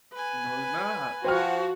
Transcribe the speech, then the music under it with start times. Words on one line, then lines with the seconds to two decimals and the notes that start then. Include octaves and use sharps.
No, they're not.
0.13 B4 G#5
1.24 F3 F#4 C5 G5 F6